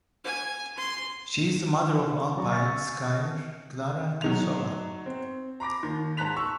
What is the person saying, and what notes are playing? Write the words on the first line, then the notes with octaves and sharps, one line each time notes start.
She is the mother of alpine skier Klára Křížová.
G#5
C6
F#3 F#4 D5 A#5 C#6
E5 G#5 C#6 E6 F6 A6
F#3 D#4 F7
C4
A#5 B5 D6 A#6
D#2 D#3
G#2 A5 A#5 F#6 B6 F7
C#6 E6